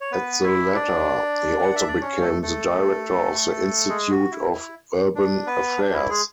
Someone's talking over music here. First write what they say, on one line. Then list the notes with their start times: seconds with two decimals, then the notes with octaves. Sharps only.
At the latter, he also became the director of the Institute of Urban Affairs.
0.01 C#5
0.12 B3 B4
0.44 E4 E5
0.75 D4 D5
1.62 F#5
1.75 E5
1.88 D5
2.01 C#4 C#5
2.21 A3 A4
2.43 A3 A4
3.89 G#3 G#4
4.11 F#4
4.31 E4
4.53 E4
5.15 D4
5.47 B3 B4
5.78 D4
5.94 E4
6.10 G#3 G#4